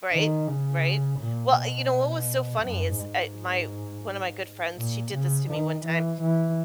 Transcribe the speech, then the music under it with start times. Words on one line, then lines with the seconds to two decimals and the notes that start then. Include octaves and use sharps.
Right. Right. Well, you know what was so funny is, eh, my one of my good friends, she did this to me one time.
0.13 D#3
0.48 C#3
1.19 A#2
1.55 B2
2.63 F#2
2.99 G#2
4.77 A#2
5.13 C#3
5.50 D#3
5.85 E3
6.21 E3